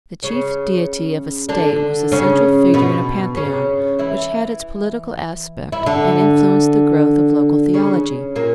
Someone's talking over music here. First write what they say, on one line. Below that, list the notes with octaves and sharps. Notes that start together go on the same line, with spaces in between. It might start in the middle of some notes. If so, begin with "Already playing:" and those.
The chief deity of a state was the central figure in a pantheon, which had its political aspect and influenced the growth of local theology.
C#3 C#4
D3 D4
C#3 C#4
B2 B3
C#3 C#4
E3 E4
E4
D3 D4
C#3 C#4
A#2 A#3